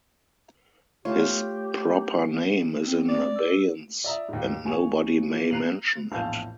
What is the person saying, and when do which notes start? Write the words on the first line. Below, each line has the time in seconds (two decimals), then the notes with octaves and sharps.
His proper name is in abeyance and nobody may mention it.
1.05 A3 F4 G4 C#5
2.87 C4
3.09 D5
3.36 E6
4.04 D5 E5 A#5 D#6
4.29 D#2 G#2
4.65 C#2 G#5 C#6 F7
5.29 E3 F3
5.50 A#5 F#6 C7 D#7 F7 F#7
6.12 A#1 E2 A2 F5 A5 G6